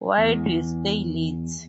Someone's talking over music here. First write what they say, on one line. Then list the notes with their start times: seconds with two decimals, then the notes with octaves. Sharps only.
Why'd you stay late?
0.18 E2